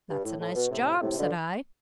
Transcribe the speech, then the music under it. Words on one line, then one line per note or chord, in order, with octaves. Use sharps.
"That's a nice job," said I.
G2
A2
A2
B2
A2 C3
A2 C3
B2 D3